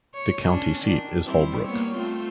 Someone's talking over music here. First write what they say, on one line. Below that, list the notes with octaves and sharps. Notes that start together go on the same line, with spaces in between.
The county seat is Holbrook.
C#5
C#4 D4
D#3 D4
G3 C4 E4
A#3 B3 C#5
A3 C4 F4